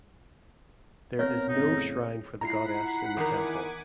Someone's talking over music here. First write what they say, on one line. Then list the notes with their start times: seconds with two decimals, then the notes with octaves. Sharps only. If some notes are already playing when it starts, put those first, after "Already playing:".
There is no shrine for the Goddess in the temple.
1.19 B3 C4 A#4 C#5
1.49 F2 A2 C#3 D#4
2.41 E4 F4 E5 F#5 A#5 B6 C7
3.17 E2 D#3 A#4 G#5 D6